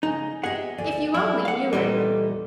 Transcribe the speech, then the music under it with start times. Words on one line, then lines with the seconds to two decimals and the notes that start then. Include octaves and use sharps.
If you only knew him!
0.03 C#3 G#3 D#4
0.43 G4 G#4 D#5 E5 F#5
0.78 D2 D5 G#5
1.14 F#3 E4 D5
1.45 F5 F#5
1.73 E2 A#2 G3 A4 B4 D#5